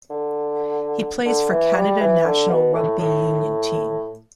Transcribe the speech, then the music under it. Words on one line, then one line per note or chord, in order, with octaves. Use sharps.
He plays for Canada national rugby union team.
D3
D3
E3
G3
E3
D3
B2
A2
A2